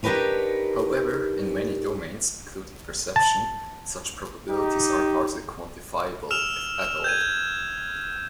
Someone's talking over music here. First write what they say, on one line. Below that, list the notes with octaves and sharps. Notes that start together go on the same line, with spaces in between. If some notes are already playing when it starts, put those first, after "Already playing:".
However, in many domains, including perception, such probabilities are hardly quantifiable, if at all.
D4 D#4 G4 A#4 B4 C#5
A5
D#4 G4
E6 F6 E7 F7
G6 G#6 D#7